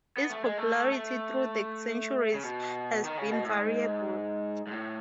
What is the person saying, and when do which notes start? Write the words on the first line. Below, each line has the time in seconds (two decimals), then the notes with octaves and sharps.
Its popularity through the centuries has been variable.
0.17 B3
0.30 A3
0.44 G#3
0.58 A3
0.92 A3
2.34 C#3
2.43 B2
3.04 D#3
3.18 C#3
3.31 B2
3.44 A2
3.58 G#2
4.67 G#2
4.72 A2